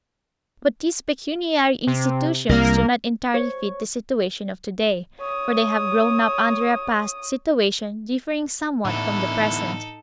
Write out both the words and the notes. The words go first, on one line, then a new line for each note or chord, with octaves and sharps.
But these pecuniary institutions do not entirely fit the situation of today, for they have grown up under a past situation differing somewhat from the present.
C3
C2 A#3 A#4
C#5
C#5 D#6
E2 A2 D3 D#4 E4 A4